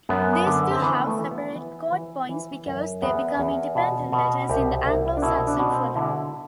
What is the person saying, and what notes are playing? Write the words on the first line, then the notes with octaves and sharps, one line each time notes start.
These two have separate codepoints because they become independent letters in the Anglo-Saxon futhorc.
F#2 B3
B3
D3
C4
E3 B3
A3
E3
B3
E3
E3
E3
F#2
E2 B3
E2
B2
B2
C2 G4
C2
D4
B2 E4
D4
B2
C4
D3 E4